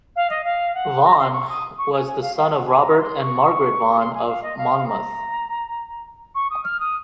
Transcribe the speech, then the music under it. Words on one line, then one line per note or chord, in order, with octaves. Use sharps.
Vaughan was the son of Robert and Margaret Vaughan of Monmouth.
F5
D#5
F5
F#5
A#5
C6
C#6
D#6
C#6
G#5
G#5
F5
F5
F#5
G#5
A#5
C6
C#6
C6
G#5
F5
D#5
F5
A#5
C#6
D#6
F6
D#6